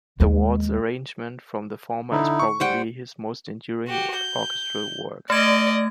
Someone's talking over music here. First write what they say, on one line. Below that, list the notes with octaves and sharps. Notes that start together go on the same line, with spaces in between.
The waltz arrangement from the former is probably his most enduring orchestral work.
D#2 G#3
D3 D#4 E4
C#6
G3 C5 F#5 G5
F#4 G4
G6
A3 D5 D#5 G#6